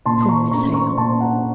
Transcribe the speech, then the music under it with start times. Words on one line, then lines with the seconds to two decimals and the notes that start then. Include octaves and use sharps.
'Come, Miss Hale.
0.06 A#2 A5 C6
0.29 A#5 C#6
0.51 A3 C#4 A#5 C#6
0.74 A#5 C#6
0.97 A#2 A5 C6
1.20 F#5 A#5